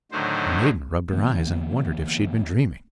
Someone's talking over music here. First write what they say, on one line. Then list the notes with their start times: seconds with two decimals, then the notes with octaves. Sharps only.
The maiden rubbed her eyes and wondered if she had been dreaming.
0.12 A2 D3 D#3 F#3 C5
1.13 D3 E3 A#3 B3